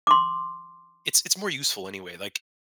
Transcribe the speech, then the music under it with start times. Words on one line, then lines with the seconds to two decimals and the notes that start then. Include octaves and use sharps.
It's it's more useful anyway, like
0.07 C6 D6